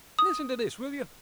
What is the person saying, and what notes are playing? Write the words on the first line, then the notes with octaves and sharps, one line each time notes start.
Listen to this, will you?
D#6